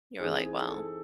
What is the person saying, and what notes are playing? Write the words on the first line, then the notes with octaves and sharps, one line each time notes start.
we were like, "Well,
E3 C4 D#4 G#4
G#4
A4